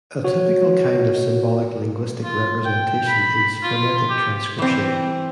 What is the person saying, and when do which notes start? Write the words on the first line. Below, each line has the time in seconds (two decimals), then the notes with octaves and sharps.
A typical kind of symbolic linguistic representation is phonetic transcription.
0.24 F#4 C#5
2.23 F4
2.65 G5
3.08 B5
3.63 F4
4.09 G4
4.58 E3 C4